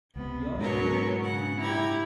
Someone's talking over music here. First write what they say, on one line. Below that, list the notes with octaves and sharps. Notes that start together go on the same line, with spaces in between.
Yours truly, E. Daun.
C#2 C3 B3
G#2 B2 F#3 G#3 B3 D4 A#4 C#5
C#3 F#5
E4 G4 A#5 G#6